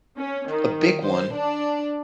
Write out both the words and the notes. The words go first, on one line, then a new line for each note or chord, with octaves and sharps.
A big one,
C#4
D#3
C5
D4